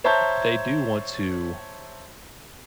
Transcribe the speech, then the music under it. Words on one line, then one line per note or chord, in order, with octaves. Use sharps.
they do want to
C5 C#5 E5 A5 A#5 G6